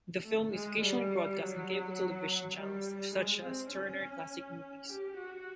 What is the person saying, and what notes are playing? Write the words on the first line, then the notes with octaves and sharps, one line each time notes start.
The film is occasionally broadcast on cable television channels such as Turner Classic Movies.
A3
G#3
G3
F#3
G3
G#3
C4
C#4
G4
F#4